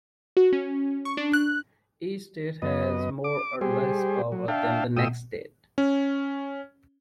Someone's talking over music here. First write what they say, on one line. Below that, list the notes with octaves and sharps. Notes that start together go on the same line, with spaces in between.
Each state has more or less power than the next state.
F#4
C#4
C#6
D4
F#6
F#2 B3 D#5
D6
G3 G4 G#4 C5
F#3
D4 E5 F5 G5 A5
A2 F4 G5 D#6 E6
C#4